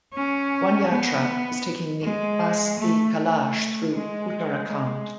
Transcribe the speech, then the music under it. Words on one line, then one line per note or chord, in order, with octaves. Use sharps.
One Yatra is taking the asthi Kalash through Uttarakhand.
C#4
B3
G#3
A3
A3
G#3
G#3